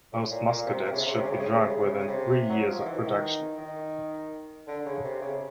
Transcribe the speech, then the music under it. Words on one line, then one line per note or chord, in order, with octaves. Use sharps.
Most Muscadets should be drunk within three years of production.
A2
A#2
A#2
C3
C3
C#3
C3
C#3
C3
C#3
C3
C#3
C3
C#3
C3
C#3
C3
C#3
C3
C#3
C3
F#3
F3
D#3
E3
D#3
D#3
D3
C#3
C3
C#3